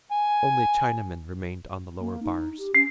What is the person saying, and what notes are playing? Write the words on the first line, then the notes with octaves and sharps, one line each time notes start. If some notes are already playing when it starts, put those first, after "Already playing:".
Only Chinamen remained on the lower bars.
G#5
A#3
D#4
G4
C#4 C7